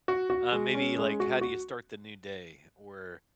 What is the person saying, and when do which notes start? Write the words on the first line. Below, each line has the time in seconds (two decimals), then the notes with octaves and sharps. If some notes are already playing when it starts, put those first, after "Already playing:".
Uh, maybe like, "How do you start the new day?" Or
0.08 F#4
0.30 F#4
0.52 G#3
0.74 C#4
0.98 G#3
1.20 F#4
1.41 F#4